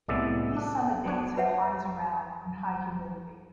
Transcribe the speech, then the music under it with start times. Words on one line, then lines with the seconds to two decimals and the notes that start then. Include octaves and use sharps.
These summer days have highs around and high humidity.
0.08 C2 A2 G#3 B3 D5 E5
0.57 D4
1.05 B3 D4 C#5
1.37 B4 C#5 E5 F#5 A5